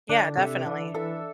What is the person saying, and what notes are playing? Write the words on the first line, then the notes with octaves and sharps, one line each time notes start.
Yeah, definitely.
D3 D4
C3 A4 E5
E3 D4
E3 A4 E5